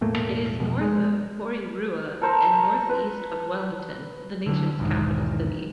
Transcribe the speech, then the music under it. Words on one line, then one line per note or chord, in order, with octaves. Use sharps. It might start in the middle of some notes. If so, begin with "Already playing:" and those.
It is north of Porirua and northeast of Wellington, the nation's capital city.
E1 A2 A3 A#3
F2 B2
G#3
A4 A#4 C5
B4
D3 D#3 F#3
B1 E2 G#2 D#3